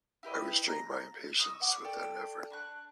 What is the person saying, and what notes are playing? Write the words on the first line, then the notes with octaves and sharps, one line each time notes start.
I restrained my impatience with an effort.
E4 G4 B4 D#5
A#5
D#5 C#6 D#6 E6
E5 F#5 C#6 D6
A4 D5 G5
D4 C#6 F#6